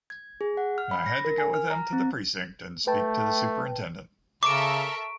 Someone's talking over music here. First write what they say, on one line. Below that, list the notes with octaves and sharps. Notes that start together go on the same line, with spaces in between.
I had to go with them to the precinct and speak to the superintendent.
G#6
G#4
F#5
F6
B5
A#6
A#4
G#5
F6
A#5
C4
A3 B4 G5 A5
C#3 A4 A#4 E5 C#6 D6 D7